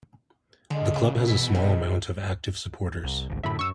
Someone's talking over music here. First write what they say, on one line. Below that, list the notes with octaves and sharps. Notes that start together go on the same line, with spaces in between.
The club has a small amount of active supporters.
D3 G#3
C#3 F#3
B2 E3 E4
G#2 C3
C2
G#1 D2
F#2 A2 D3 E5 B5
F#2 C#6 E6